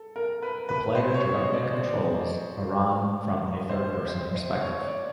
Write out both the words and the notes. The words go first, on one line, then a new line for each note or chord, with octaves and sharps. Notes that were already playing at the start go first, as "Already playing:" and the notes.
The player directly controls Arran from a third person perspective.
Already playing: A4
A#4
B4
B4
C5
C#5
D#5
D5
C5
C5
C5
C5
C#5
D5